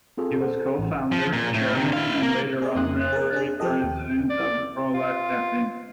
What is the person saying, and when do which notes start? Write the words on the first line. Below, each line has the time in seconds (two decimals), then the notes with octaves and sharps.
He was co-founder, chairman and later honorary president of the Pro Life Campaign.
0.17 C4 F4 G#4 A4
0.39 A4 C5 F#5
0.79 A1
1.12 F3
1.33 A#2
1.55 A2
1.75 C3 D#3
1.93 E4 F5
2.22 A#3
2.62 G#4 D5 D#5
2.75 F2 A#3 D#4 C6 D#6 F#6
3.13 G#4 A#4
3.33 D4 G#4
3.60 F3 G4 A4 D#5
3.82 D#2 G5
4.30 D5
4.94 F4